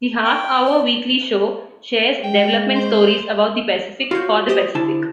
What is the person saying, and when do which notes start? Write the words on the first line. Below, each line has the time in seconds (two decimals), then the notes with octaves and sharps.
The half-hour weekly show shares development stories about the Pacific for the Pacific.
0.24 G5
0.66 D5
2.23 G#3 G5
2.75 C5
4.11 F4 F#4 C#5 G6
4.49 G4 C5 D#6
4.75 D3 E4 A5